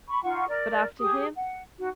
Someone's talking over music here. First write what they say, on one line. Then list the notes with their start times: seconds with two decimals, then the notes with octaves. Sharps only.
But after him?'
0.08 B5 C#6
0.23 D#4 F4 F#5 C#6
0.48 A#4 D5
0.99 G4 G#4 D#6
1.35 F#5
1.77 D#4 F#4